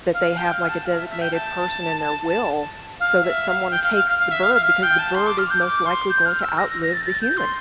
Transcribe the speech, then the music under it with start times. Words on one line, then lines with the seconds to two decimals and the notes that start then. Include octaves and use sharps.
that they have, like, a designated person in their will so that someone takes the bird because the bird is most likely going to outlive the human.
0.13 F5
0.37 G5
0.53 F5
0.69 A5
0.85 F5
0.97 E5
1.09 E5
1.21 G5
1.33 A5
2.28 A5
3.00 F5
3.24 E5
3.48 F5
3.71 G5
3.83 F5
3.95 F5
4.08 F5
4.19 F5
4.31 E5
4.43 F5
4.55 F5
4.67 F5
4.83 G5
4.99 A5
5.15 C6
5.27 D6
5.38 F6
5.50 G6
5.62 D6
5.86 C6
6.09 G6
6.26 F6
6.42 E6
6.58 A#6
6.69 A#6
6.81 A#6
6.93 A6
7.05 A6
7.21 G6
7.37 C6